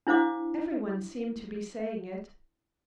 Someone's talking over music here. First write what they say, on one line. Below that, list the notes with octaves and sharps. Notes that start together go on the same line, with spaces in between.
Everyone seemed to be saying it.
D4 E4 C5 F5 D6